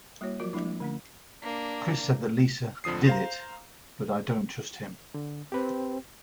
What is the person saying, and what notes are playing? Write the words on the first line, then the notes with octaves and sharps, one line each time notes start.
Chris said that Lisa did it but I dont trust him.
G3 A#3 E4 F#4 C#5
F3 F#3 F4 F#4 A#4
F3 G3 G#3 A#3 D4 E4
A#3
D3 A3 C#4
A#3 D4
F2 D3 F3 D#6 C7
C5 F5 A#5
D3
C4 G4 B4